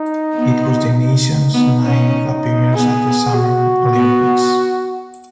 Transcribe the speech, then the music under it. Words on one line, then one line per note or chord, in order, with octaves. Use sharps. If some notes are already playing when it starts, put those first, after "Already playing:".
It was the nations ninth appearance at the Summer Olympics.
Already playing: D#4
B3
D#4
B3 D#4
C#4
B3 G#4
F#4
B3